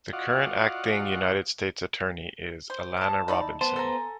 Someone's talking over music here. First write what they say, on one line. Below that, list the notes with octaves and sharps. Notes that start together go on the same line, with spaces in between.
The current Acting United States Attorney is Alana Robinson.
F4 F#4 D5 D#5 F5 F#5
C5
A5 D#6
D#4 E4 D5
B3 C5 A5
A4 G#5 A#5